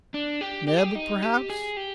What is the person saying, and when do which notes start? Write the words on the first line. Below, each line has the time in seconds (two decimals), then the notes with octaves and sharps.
"Neb, perhaps?"
0.14 D4
0.41 G4
0.68 G4
0.77 G#4
0.85 G4
0.95 D#4
1.22 G4
1.50 G#4
1.77 G4